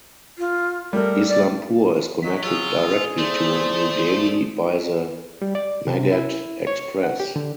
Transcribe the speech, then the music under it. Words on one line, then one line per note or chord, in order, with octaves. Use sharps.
Islampur is connected directly to New Delhi by the Magadh Express.
F4
G3 A3 A#4
D5
F#3 D#5 B6
F4 G#4 E6
A3 C5 D5
G3
D5
C3
E4
C#5
F#5
G4
D3